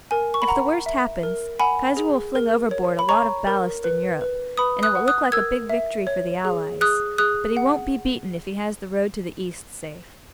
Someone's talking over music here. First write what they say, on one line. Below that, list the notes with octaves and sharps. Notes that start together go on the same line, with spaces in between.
If the worst happens, Kaiser will fling overboard a lot of ballast in Europe, and it will look like a big victory for the Allies, but he won't be beaten if he has the road to the East safe.
A#4 G#5
C#6
B5
F#5 A#5
E5
A#4
F#5 G#5 B5
G#4
A#4
C#5
B5
C#5 A#5 C#6
A#4
B4
B4
B4 B5 D#6
D#6 F#6
F#5
D#6 F#6
A#4 E6 G#6
E5
C#5
G#4
G#4 D#6 F#6
G#4 D#6 F#6
F#5